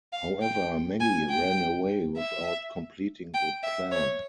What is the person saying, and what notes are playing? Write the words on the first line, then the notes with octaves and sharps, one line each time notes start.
However, Maggie ran away without completing the plan.
F5
G5
G#5
G5
E5
G5
E5
C#5